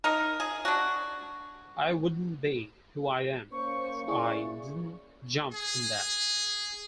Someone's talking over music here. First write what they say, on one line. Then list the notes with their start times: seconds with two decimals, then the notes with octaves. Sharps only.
I wouldn't be who I am if I didn't jump in that.
0.04 D#4 A#4
0.40 G#4
0.65 D4 F#4
3.52 A#3 C#4 C5 C#6
4.08 E4 G#4 D5
5.52 G#4